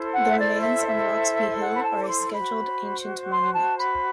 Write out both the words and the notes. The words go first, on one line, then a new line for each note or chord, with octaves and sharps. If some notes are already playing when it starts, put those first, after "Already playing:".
The remains on Roxby Hill are a Scheduled Ancient Monument.
Already playing: E4 A4 C5
F#5
E5
D5
E5
E5
F#5
B5
A5
D6
C6
F#4 C5 B5
C6
A5
B5